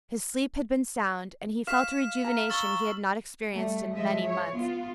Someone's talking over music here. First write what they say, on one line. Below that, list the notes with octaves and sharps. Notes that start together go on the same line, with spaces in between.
His sleep had been sound, and he felt a rejuvenation he had not experienced in many months.
F5 B6 E7
A#5
C#6 E6 A6 G7
G3 A3
F3 G#3 D#5 E5
C#5
B3 F4